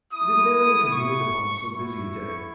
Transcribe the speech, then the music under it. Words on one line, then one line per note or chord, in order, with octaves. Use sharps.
"It is very inconvenient upon so busy a day."
B3 E4 D#6
C#6
B3 E4 C#6